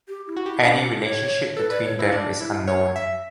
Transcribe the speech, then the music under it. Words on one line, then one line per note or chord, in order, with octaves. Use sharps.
Any relationship between them is unknown.
G4
E4
F#4
E4 G4
D4
D4
C#5
A4 B4
B4 D5
C#5
E4 B4
D4
G4
E4
C#5
E5